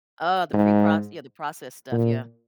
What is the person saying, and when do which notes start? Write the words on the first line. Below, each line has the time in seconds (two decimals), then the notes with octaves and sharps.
Oh, the preproc yeah, the processed stuff, yeah.
0.53 G#2
1.92 A#2